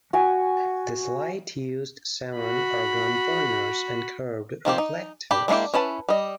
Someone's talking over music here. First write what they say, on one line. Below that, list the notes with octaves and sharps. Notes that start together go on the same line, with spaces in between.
This light used seven Argand burners and curved reflectors.
F#4 G#5
F#4 B5
D#3 F3 C4 G4
D#4
D4 G4 B5
G#3 A#3 D4 E4 G4
C#4 E4 B4 A5
G3 D#5